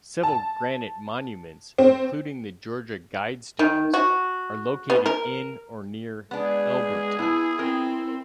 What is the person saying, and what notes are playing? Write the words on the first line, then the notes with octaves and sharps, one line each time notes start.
Several granite monuments, including the Georgia Guidestones, are located in or near Elberton.
A5
C4
D#3
F#4
B3
A#4
G#3 B3 D4 G#4
B3 E4 G#5
C4 E4 A#4